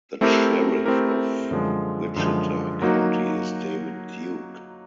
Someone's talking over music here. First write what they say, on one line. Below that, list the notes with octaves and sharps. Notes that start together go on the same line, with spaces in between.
The Sheriff of Wichita County is David Duke.
A3 C4 E4 G4 A#4
A3 C4 E4 G4 A#4
F#2 D3 F3 G#3
F#2 D3 F3 G#3
F#3 A#3 D#4 F#4